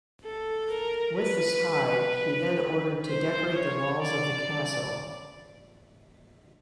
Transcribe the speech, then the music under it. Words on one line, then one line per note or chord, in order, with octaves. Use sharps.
With this hide he then ordered to decorate the walls of the castle.
A4
A#4
B4
C5
C#5
D5